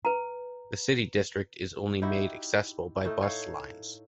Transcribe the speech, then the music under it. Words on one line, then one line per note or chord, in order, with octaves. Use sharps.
The city district is only made accessible by bus lines.
B4 A#5
D#4 E4 F#4 G4
A2 A3 D#4
D#4 C#5 F5